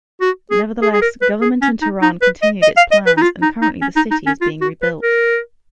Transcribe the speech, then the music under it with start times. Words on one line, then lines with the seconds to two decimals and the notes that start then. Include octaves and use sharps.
Nevertheless, government in Tehran continued its plans and currently the city is being rebuilt.
0.21 F#4
0.51 G#4
0.82 G#4
0.93 G#4
1.01 A#4
1.22 B4
1.41 G#4
1.62 C#4
1.81 D#4
2.02 D#4
2.22 B4
2.42 D#5
2.62 D#5
2.77 F5
2.91 D#5
3.06 B4
3.17 D#4
3.22 F4
3.42 D#4
3.62 D#4
3.81 C#4
3.96 D#4
4.11 D#4
4.26 C#4
4.41 F4
4.61 F#4
4.82 B4
5.02 A#4